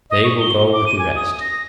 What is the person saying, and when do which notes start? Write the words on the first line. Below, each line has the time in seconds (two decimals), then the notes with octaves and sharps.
They will go with the rest.
0.10 D#5
0.24 C#6
0.40 G7
0.73 D6
0.86 D#7
0.99 G#5
1.16 D#6
1.40 A#6